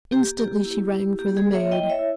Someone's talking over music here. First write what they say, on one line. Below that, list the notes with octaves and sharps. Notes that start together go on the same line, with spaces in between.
Instantly she rang for the maid.
A#3 G4
A#3 G4
E4
E4
A#3 G4
G#4
A#3
C#5 E5
E4 D#5 G5
C#5 E5
E4